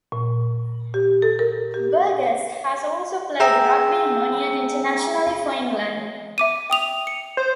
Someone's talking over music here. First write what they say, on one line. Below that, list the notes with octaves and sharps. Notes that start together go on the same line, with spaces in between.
Burgess has also played rugby union internationally for England.
A#2
G4
A4
A#4
G4
G#4 E5 G5 A#5 E6
E5 D6 D#7
G5 D#6 F7
C#7
C5